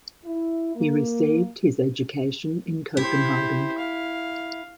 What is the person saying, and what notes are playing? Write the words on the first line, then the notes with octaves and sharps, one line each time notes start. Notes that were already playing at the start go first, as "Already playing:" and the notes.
He received his education in Copenhagen.
E4
A#3
E4 G4 C5
F5